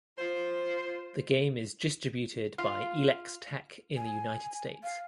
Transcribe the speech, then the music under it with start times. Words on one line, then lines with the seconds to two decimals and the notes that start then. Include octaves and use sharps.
The game is distributed by Elex Tech in the United States.
0.19 F4 C5
2.58 F4 F5
3.96 G#5
4.83 F5